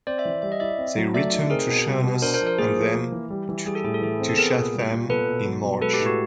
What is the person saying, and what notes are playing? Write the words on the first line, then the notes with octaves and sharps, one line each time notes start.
They returned to Sheerness and then to Chatham in March.
C4 C5 D5
D5 E5
E3
G3 E5
D#5
E4 D5 E5
C4
F#3
A3 D5 E5
D#4
C4 G#4 A#4
B2
G3
B2
D4 A#4 C5
A#4 C5
F3
A#4 C5
A#3 G#4
F3
A#3
E3
G3
E3
G3 G#4
A4
A2 G#4
A4
E3 G#4
C4
A4
B3 G#4 A#4
A#2
G3
A#2
B3 A4 B4
B2
F#3
B2
G#3 A4 B4
G4
A2
F#4